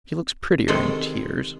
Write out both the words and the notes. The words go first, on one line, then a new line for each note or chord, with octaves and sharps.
She looks prettier in tears.'
C3 D#3 G#3 G#4 A4 D#5